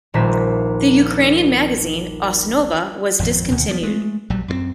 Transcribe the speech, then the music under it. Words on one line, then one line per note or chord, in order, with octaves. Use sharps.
The Ukrainian magazine "Osnova" was discontinued.
D#1 A#1 D#4 C5 E5 B6
G#1 F2 A#2 F3
D2 B2 D#3
F3 G3 B3
G#3 A3
A#1 F#3 G3
F#2 G3 C4